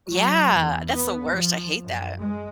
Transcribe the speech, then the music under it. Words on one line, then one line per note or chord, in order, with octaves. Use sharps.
Yeah. That's the worst, I hate that.
F#3
E2
B3
F3
F#2
G#3